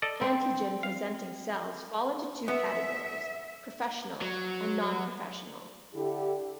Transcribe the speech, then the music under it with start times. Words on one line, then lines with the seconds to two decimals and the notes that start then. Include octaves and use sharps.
Antigen-presenting cells fall into two categories: professional and non-professional.
0.02 A4 D5 D#5
0.21 C4
0.83 F5
2.48 B3 E5
4.22 F#3
5.94 D3 E4 G4 A4